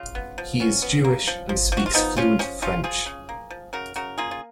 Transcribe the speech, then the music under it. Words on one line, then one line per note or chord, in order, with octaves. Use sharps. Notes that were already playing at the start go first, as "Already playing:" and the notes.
He is Jewish and speaks fluent French.
Already playing: C#3 C#4 F4
B3
F3
B3 C#4
B3
A#3
F3
F3
F3 F#4
F4
F3 B3 D#4
F3 C#4 F4
F3 C#4
F3 C#4 F4
F3 F4 G#4
C#3
A#3
F3
C#3 F#4 A#4
C#3 F#4 A#4
A#3 F4 G#4
F4